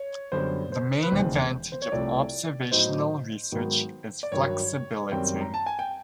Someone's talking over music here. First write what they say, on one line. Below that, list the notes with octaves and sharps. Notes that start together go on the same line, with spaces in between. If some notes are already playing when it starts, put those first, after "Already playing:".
The main advantage of observational research is flexibility.
Already playing: C#5
F#2 D3 G3 B3 C5
C5
B4
E1 D#2 C#3 E3 C5
C5
C#5
C2 C3 F3 A3 D5
A2 F#3 B3 D#4 C5
G#2 D#3 F#3 B3
D5
G2 D#3 F#3 C#5
F#2 D#3 G3 C4 G5
A#5
A5
G#5
G5